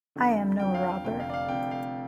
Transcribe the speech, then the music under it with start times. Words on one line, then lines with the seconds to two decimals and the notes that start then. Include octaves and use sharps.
I am no robber.
0.16 F2 D3 F3
0.59 F2 D3 F3 G5
0.74 F5
0.89 F5
1.04 F1 F2 D3 F3 G5
1.20 F5
1.30 D5
1.34 F5
1.48 F1 F2 D3 F3 G5
1.71 F5